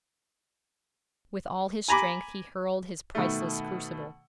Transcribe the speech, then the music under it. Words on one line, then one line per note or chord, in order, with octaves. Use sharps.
With all his strength he hurled his priceless crucible.
G#5 A#5 B5 D6
B2 D#3 A3